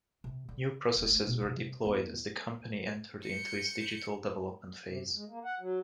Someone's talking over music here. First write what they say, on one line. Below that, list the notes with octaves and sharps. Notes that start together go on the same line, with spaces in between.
New processes were deployed as the company entered into its digital development phase.
C3
D3
E1
A3
B2
C3
E2
G6 C#7
C3
F2
G#3
A#3
F#5
F#3